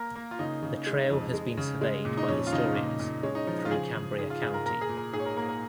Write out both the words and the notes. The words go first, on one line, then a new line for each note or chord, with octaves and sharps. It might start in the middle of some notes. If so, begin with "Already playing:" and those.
The trail has been surveyed by historians through Cambria County.
Already playing: A#3 A#4
A#3
F4
C#3 D#4
C#3
G#3
F2
G#3
C#3
G#3
A#2
D#4
F2 C#4
F4
C#3 D#4
A#2
A#2
G#3 C#4
D#4
F3 D#4
D#4
F4
C#3 G#4
C#3
G#2 G#4
F4
G#2 G#4
A#4
A#2 A#4
G#4
A#2
A#4
G#2 G#4
C#5
A#4
A#3 A#4
A#4